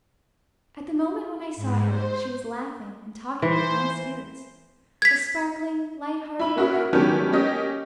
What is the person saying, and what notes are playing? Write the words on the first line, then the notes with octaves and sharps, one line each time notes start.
At the moment when I saw her she was laughing and talking in high spirits--a sparkling, light-hearted, happy woman.
G#2
C5
E3 C5
G#6 B6
E4 B5
A#3 C#4 F#4 A#4 E5
D#3 F#3 B3 C#4 D4 G4
A#3 C#4 G4 D#5